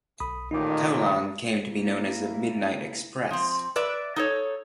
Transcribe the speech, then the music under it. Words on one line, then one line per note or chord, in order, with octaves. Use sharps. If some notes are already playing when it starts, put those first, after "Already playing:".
Tolan came to be known as the "Midnight Express".
B1 B5 D#6
A1 A#2 D#3 D#4 D6
A#3 E4
F3 C4
B4 D5 E5
D#4 A4 C#5